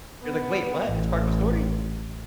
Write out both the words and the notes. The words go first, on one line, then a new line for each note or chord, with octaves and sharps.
You're like, "Wait, what? It's part of a story?
B3
A1